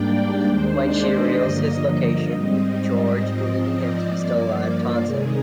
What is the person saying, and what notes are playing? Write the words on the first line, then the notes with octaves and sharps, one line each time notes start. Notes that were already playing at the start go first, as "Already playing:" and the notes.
When she reveals his location, George, believing him to be still alive, taunts him.
Already playing: G#2 G3 A#3 D4 D5 G5
D5
D#2 D#3 G#3 D4 C5
D5
D#5
G2 D3 F3 A#3
G#2 G3 C4
G#2 F3 C4 D#5
D#5
D5
G2 F3 A#3 D5
C3 D#3 G#3 D#4 G#4